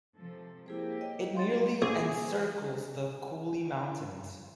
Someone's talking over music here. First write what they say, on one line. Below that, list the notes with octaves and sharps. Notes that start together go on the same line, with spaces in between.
It nearly encircles the Cooley Mountains.
C3 F3 A4
A#3 E4 G4 G#4 C5
C#5 D#5 G5
F#3 B3 D#4 F5 C6 A6
A#1 G#4